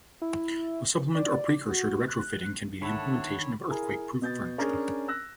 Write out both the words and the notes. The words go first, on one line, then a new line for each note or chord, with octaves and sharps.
A supplement or precursor to retrofitting can be the implementation of earthquake proof furniture.
E4
D5
F#4
F#6
D3 D#3 A4 C#5 E5 F#5 A5 B5
E4 G#4 A#4
B2 G6 A6
C#4 D4 G#4 A#4 D5 A#5
E6 F#6 A#6